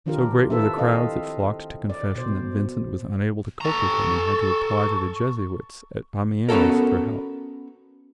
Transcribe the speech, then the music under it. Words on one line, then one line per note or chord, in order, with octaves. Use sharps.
So great were the crowds that flocked to Confession that Vincent was unable to cope with them and had to apply to the Jesuits at Amiens for help.
D#3 F3 D4 F4 G4 A#4
E4 F4 A4 B4 E5
C4 D#5 F5
D5
B2 C5
A4 A#5 C#6
B3 C#4 F#4 A4 A#4